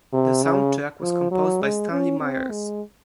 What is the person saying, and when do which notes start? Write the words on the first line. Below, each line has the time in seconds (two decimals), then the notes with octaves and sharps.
The soundtrack was composed by Stanley Myers.
0.13 C3
0.43 C#3
1.02 F3
1.31 F#3
1.61 G#3
1.91 C#4
2.20 C4
2.50 G#3